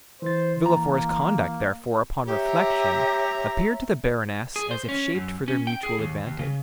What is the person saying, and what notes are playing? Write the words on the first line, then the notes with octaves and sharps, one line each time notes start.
Villefort's conduct, therefore, upon reflection, appeared to the baroness as if shaped for their mutual advantage.
E3 C5 A6
A#3 A#5
G4 C#5 E5 A#5
G#4
C5
C#4
F#2
C#4
G5
G#4
D#2
D#2
C#3